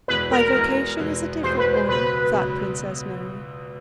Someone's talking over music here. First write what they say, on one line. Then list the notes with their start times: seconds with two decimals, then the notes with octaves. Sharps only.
"My vocation is a different one," thought Princess Mary.
0.08 E2 B2 G#3 B3 E4 B4
0.32 A#4
0.54 E2 B2 G#3 B3 E4
0.99 E2 B2 G#3 B3 E4
1.43 E2 B2 G#3 B3 E4 C5
1.58 B4
1.73 C5
1.88 C#2 B2 F#3 B3 B4
2.33 C#2 B2 F#3 B3